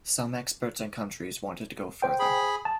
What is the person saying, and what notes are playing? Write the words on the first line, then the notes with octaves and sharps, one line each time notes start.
Some experts and countries wanted to go further.
C5 G5
G#4 B5
A5